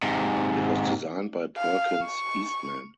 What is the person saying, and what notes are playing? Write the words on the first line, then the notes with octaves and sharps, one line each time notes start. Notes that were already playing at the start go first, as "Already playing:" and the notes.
It was designed by Perkins Eastman.
G#2 C3
F5
C#6